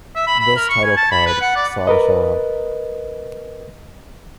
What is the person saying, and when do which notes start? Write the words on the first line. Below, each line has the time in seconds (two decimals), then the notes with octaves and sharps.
This title card saw the show out.
0.15 E5
0.27 B5
0.40 B5
0.56 A#4
0.70 C#6
0.84 G#5
0.97 A5
1.12 B5
1.26 B4
1.41 F#5
1.56 D5
1.87 A#4 B4 D#5